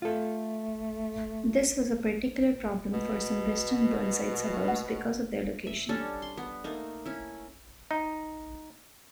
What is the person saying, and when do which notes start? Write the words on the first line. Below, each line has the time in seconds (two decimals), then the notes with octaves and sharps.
This was a particular problem for some western Burnside suburbs because of their location.
0.02 A3 F4 A4
2.93 B2
4.68 F#5
5.67 E5
5.89 G3 C#4 D4 A4
6.22 C6
6.37 B3
6.64 A3 A#3 D#4
7.06 C#4 E4
7.91 D#4